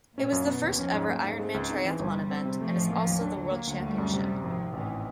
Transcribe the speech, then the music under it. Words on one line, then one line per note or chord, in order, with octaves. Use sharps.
It was the first ever Ironman triathlon event and is also the world championship.
A#2 C#4
F#2
B2 B3
D#2
F3 C#4
G#2
F#3 A#3
G#2
G#3 C4
C#2
C4 D#4
E3
G1 G3
G1
C4
C3
F3 A3
A1
F3 A#3
D#2
F#3 D4
D3
A#3
D2
G3 A3
F#2
C3
C3
G#1 F3
G#1
A1 E3